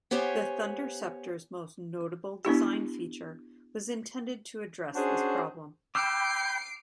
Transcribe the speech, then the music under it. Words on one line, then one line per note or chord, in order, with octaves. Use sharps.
The Thunderceptor's most notable design feature was intended to address this problem.
B3 G4 C5 C#5 G#5
B3 D4 E4 G4
C#4 D4 F#4 G#4 C5 C#5
G5 B5 D6 E6 F6 G6 C7 D7